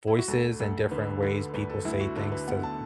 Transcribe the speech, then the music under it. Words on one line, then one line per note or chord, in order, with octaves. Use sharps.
voices and different ways people say things to
E4
F#4
D2 A4
D2 A4
D3 B4
D3 B4
D2 B4
A4
D2 E4
F#4
D3 A4
B4
B3 F#5
A5